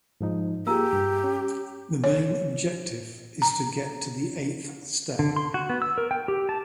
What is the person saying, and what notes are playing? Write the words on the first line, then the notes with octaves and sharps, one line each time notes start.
The main objective is to get to the eighth step.
G#2 F3 D#4
A#3 F4 G4 G#4 A#5 E6
G2
C#4
C#5
A#5
D3
C6
F#4
B3
E6
A#4
G5
G4
A5